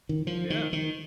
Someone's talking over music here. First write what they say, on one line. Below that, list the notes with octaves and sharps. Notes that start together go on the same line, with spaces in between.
M yeah.
D#3
F3
D#3
D#3